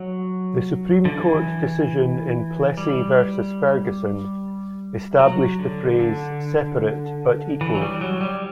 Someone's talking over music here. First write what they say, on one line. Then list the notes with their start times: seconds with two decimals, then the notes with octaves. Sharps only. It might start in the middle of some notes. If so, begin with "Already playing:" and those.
The Supreme Court decision in "Plessy versus Ferguson" established the phrase "separate but equal".
Already playing: F#3
1.05 D3
1.16 E3
2.77 G3
5.19 F#3
5.59 D3
6.00 D3
7.61 E3
7.75 F#3
7.81 G3
8.01 F#3
8.21 G3